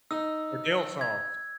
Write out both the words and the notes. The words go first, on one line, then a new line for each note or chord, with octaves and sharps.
or dill sauce.
D#4 E6
G#6